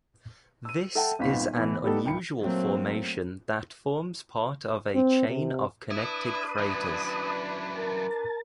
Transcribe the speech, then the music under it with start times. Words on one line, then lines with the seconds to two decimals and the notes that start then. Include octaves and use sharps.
This is an unusual formation that forms part of a chain of connected craters.
0.65 E6 D#7
0.95 A4 E5 F#5 G5 A5
1.19 D#1 G#1 B3 F5 B6
1.53 B2 E3
1.84 G3 B3 D#4 G4 A4
2.05 D#1 D#2 G5 B5 C#7
2.40 A#2 F#3 A3 A#3 C4
4.95 C4
5.28 C3
5.91 D4 E4 B4 D#6
6.58 F#2 E3
7.76 A#4 A5